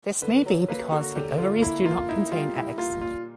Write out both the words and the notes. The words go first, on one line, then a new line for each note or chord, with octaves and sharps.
This may be because the ovaries do not contain eggs.
D3 B4
F#3
A#3 B4
D3 F#4
D3 G4
D3 F4
A#3 E4
A#3 F4
D#4 E4
G3 F4
G3 E4
A#3 F4
A#2 F4